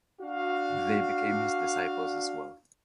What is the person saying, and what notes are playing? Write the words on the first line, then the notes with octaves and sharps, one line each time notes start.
They became his disciples as well.
D4 F#4 F5